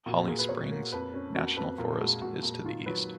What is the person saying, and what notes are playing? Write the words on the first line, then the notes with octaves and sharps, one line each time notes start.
Holly Springs National Forest is to the east.
A#2 F#4
F#4
A#2 G#4
B4
A#2 C#5
A#3
F2 B4
C#4
A#3 F#4
F2 B4
A#2 A#4
G#3 F#4
A#2 F#4
A#2
D#3 F4
F#3 B4